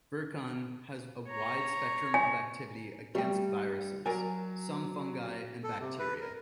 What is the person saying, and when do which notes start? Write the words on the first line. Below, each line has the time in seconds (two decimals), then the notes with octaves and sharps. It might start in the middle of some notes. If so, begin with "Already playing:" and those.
Virkon has a wide spectrum of activity against viruses, some fungi, and bacteria.
1.29 C#5 A#5
2.14 G#5
3.15 G3 A3 G5
4.06 F#3 A#4 D5 G#5
5.63 A4
5.80 C3
5.99 B4
6.21 A#4